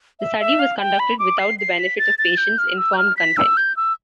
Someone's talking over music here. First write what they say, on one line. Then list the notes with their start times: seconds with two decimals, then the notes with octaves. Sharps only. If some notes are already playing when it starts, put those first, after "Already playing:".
The study was conducted without the benefit of patients' informed consent.
0.20 E5
0.40 E5
0.59 F5
0.79 G5
0.99 B5
1.19 D6
1.39 C7
1.59 C7
1.79 B6
1.98 A6
2.18 A6
2.37 G6
2.58 F6
2.78 E6
2.93 G6
2.98 F6
3.17 B6
3.37 E6
3.57 G6
3.77 E6